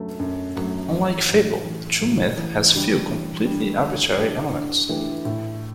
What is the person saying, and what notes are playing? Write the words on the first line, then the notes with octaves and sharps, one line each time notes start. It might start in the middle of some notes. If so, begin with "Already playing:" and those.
Unlike fable, true myth has few completely arbitrary elements.
Already playing: F#2 F#3 A3
F#2
F#3 A3
A1
A2 F#3
A1
A2 F#3
A1
G2 D3 G3
A1
G2 D3 G3
G2
E3 A3 D4 G4
G2
E3 A3 D4 G4
A2